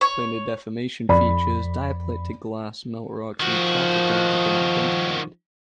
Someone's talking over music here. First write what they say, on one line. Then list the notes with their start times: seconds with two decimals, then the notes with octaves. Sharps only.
Planar deformation features, diaplectic glass, melt rocks, and shatter cones have been identified.
0.01 C#5
1.09 F2 D5 B5
3.40 D#3 F3 F#4